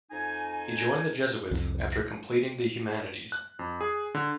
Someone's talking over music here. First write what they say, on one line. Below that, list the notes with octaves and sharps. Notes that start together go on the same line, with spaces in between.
He joined the Jesuits after completing the 'Humanities'.
F2 D#4 G#5
C2 F2
F#6
F2
G#4
D3